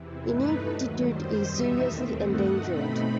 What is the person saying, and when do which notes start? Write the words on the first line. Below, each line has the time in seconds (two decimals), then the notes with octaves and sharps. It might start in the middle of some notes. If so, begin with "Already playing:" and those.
Inuttitut is seriously endangered.
Already playing: E2 C3 E3
0.27 G2 E3 A3 D#4 B4
0.66 D#2 D#3 F#3
1.05 F#2 D#3 G3 C5
1.45 E2 B2 G3 D#4 E5
1.84 D#2 D#3 A3 C4
2.23 G2 D#3 A3 D#4 F#5
2.62 B2 A3 C4 D#4 B5